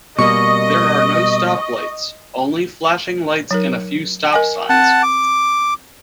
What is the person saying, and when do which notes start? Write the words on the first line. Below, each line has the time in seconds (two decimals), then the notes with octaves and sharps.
There are no stop lights, only flashing lights and a few stop signs.
0.19 B2 G3 A#3 D#5 C#6
3.51 F#3 D#4 A#4
4.33 A#4 D#5 G#5
4.69 C4 F#5 A5
5.03 D6